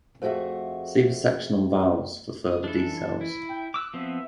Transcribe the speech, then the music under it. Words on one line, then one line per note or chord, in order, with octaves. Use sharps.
See the section on vowels for further details.
F2 A3 E4 F#4 G#4 E5
D#6
E3 D4 A4
E4
G5
D6 E6 F#6
F3 B3 C4 E5